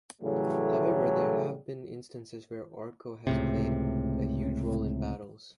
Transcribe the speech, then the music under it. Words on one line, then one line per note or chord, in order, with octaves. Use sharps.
However, there have been instances where Orko has played a huge role in battles.
A2 C#3 E3 F#3 G3 A3
C#2 A2 C3